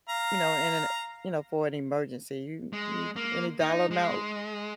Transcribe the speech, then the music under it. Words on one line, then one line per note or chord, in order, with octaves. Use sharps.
you know, in an you know, for an emergency, you you any dollar amount?
F5 A#5
G#3
A#3
D#4
G#3